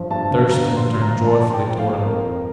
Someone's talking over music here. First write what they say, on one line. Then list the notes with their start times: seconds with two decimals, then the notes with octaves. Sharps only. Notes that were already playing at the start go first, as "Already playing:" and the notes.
Thurston turned joyfully toward him.
Already playing: G2 F3
0.11 G2 A5
0.31 D3
0.50 F3 A#5
0.68 A#2
0.76 C6
0.88 F3
1.01 A#5
1.08 F3
1.27 F3 A5
1.46 A#2
1.53 G5
1.66 F3
1.79 F5
1.85 A#2
2.04 F2 A#4
2.24 F2